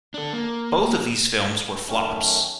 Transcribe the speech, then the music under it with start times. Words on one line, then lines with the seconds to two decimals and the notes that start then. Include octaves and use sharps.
Both of these films were flops.
0.14 D4 A4
0.33 A#3
1.88 F#2 D#3 A3 C#4